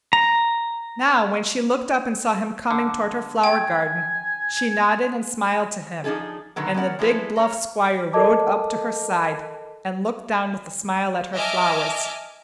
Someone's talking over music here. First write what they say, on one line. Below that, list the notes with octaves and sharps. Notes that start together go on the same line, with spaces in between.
Now, when she looked up and saw him coming toward her flower-garden, she nodded and smiled to him, and the big bluff Squire rode up to her side, and looked down with a smile at her flowers.
A#5
D3
G5 G#5
F3 D4 D#4 G#4 A4
B2 D3 D#3 F#3 B3
B3 C#4 A#4 D5 F#5
F3 G#3 E4 G4 A4 B4
A#4 C#5
A4 A#4 D#5 A5 D6
D#5 E5 G#5 A5 D6 F6